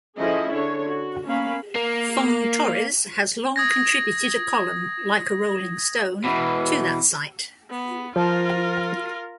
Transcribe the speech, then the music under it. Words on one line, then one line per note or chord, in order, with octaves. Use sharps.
Fong-Torres has long contributed a column, "Like a Rolling Stone," to that site.
F3 C#4 E4 G#4 A4 D#5
D3 C#5
F#4
A#3 B3 C#4 F5 B5
A#3
D#6 G#6 A#6
B2 E3
B3
F3 F4 A#4